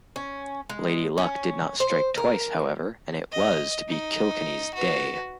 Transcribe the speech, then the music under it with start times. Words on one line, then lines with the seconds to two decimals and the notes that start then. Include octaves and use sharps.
Lady Luck did not strike twice however and it was to be Kilkenny's day.
0.16 C#4
0.70 G#3
1.18 C#4
1.80 C5
2.18 A#4
3.32 D#5
3.88 D#4
4.74 F#4 B4